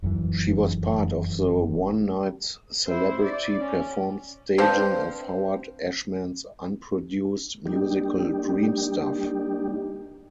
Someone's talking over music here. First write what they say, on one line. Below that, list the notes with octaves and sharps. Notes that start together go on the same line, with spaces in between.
She was part of the one-night celebrity-performed staging of Howard Ashman's unproduced musical "Dreamstuff".
F1 F#2 A2 E3
E4 C5
D5
C#4
C4 D4 B4 C5 F5 A5
G3 A#3 D4 D#4 G4